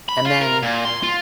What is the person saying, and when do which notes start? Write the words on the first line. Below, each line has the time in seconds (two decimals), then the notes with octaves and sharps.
And then
0.09 B5
0.26 F4
0.42 A#4
0.63 A#2
0.85 C6
1.03 F4